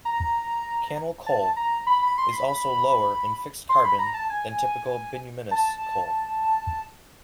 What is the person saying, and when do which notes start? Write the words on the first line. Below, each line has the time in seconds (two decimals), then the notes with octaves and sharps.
Cannel coal is also lower in fixed carbon than typical bituminous coal.
0.05 A#5
1.26 A5
1.56 A#5
1.87 B5
2.02 B5
2.18 C6
2.33 B5
2.48 B5
3.69 C6
3.84 B5
3.99 A#5
4.14 A5
4.30 G#5
5.51 A5